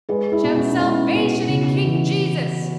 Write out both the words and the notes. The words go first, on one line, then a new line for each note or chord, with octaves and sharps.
Shout salvation in King Jesus.
G#3 G#4 B4
E4 G#4
B2
C#4 E4
D#4
G#3 C#4 E4
B2
C#3
E3